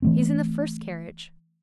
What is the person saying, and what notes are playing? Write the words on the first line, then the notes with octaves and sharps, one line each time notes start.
"He's in the first carriage."
E3 A3 C4